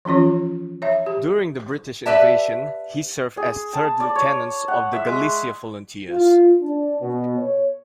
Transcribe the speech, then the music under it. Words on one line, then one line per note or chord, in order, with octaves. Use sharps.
During the British Invasions he served as Third Lieutenant of the Galicia Volunteers.
E3 F3 C#4 F4 C#5
C#5 E5
G4
G4 B4 D5 E5 A5
G#4
A5
D5
C#5
F#5
E5
G#3
F4
D4
B2
C#5